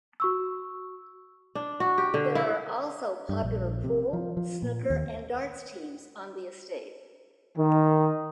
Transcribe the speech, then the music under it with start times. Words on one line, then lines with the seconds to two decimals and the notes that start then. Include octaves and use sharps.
There are also popular pool, snooker and darts teams on the estate.
0.20 F#4 C#6 E6
1.55 D4
1.80 F#4
1.98 G4
2.14 D3
2.35 E4
3.29 G2
3.43 A#1
3.84 C3
4.13 F3
4.37 F3
4.62 A#2
4.90 D#2
7.58 D#3